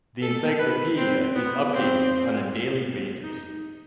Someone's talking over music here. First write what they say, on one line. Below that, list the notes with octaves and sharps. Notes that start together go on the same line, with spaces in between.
The Encyclopedia is updated on a daily basis.
A4
B4
C4
B3
C4
D#4